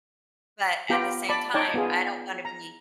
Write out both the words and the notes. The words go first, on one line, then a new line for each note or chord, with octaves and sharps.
but at the same time, I don't wanna be
B3 F4 G4 G5 A#5
D5 A5 B5
D#4 C#5 D5 G5 A5
B3 F4 G#4
A#5